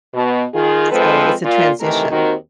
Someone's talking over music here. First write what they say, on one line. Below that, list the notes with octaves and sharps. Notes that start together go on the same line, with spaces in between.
So, it's a transition,
B2
D#3 F4 G#4
F3 G#3 C4 A4 B4
A#2 F4
C3 D#3 E3 A3 A#4
D#2 D#3 C4 D#4 F#4 A#4